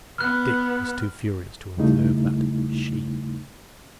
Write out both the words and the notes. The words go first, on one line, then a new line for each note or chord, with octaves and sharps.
Dick was too furious to observe that "she."
B3 F6 F#6
E2 C#3 G3 A3 D#4 E4